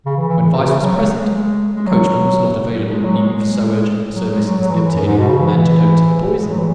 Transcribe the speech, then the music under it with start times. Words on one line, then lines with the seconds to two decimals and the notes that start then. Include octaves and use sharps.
When Weiss was present, the coachman was not available even for so urgent a service as the obtaining of an antidote to the poison.
0.06 C#3
0.17 E3
0.28 E3
0.39 E3
0.51 C#3
0.60 B2
0.65 C#3
0.81 F#3
0.96 G#3
1.76 G#3
1.86 F#3
2.91 G#3
3.04 F#3
3.16 G#3
4.15 F#3
4.30 G#3
4.45 F#3
4.60 F#3
4.71 E3
4.83 E3
4.94 F#2
5.06 G#2
5.18 B2
5.29 C#3
5.40 E3
5.52 E3
6.42 G#3
6.50 F#3
6.58 E3